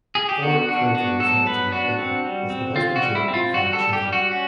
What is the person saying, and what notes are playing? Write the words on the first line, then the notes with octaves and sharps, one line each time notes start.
Ord currently resides in Alberta, with her husband Joe and five children.
G#4
G4
B3 F#4
D4 F#4
B3 F#4
F#3 A4
B3 B4
D4 F#4
C4
G3
C4
C4 F4
F#4
G3
E4
C4
F4
G3 F#4
A4
G3
G4
G3
F#4
C#4 F#4